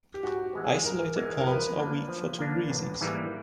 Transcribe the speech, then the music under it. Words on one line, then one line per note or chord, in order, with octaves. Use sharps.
Isolated pawns are weak for two reasons.
G4
G#2 F#4
G4
E3 G#3 B3
G#4
G#2 A#4
E3 G#3 B3
A#4
F3 B4
A#3 D4
F3
A#3 D4
A1
G#2 E3 G3 A#3